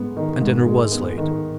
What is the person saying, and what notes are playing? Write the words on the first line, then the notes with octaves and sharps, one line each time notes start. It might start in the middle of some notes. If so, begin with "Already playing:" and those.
And dinner was late.
Already playing: G#2 G#3 B3
D#3
G#2
G#3
B3
D#3